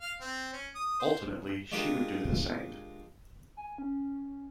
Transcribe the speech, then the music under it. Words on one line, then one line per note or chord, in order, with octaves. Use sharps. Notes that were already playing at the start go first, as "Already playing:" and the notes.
Ultimately, she would do the same.
F5
C4
C#4
D#6
C5
G#3 D4 F4 G4 A#4
G#5
C#4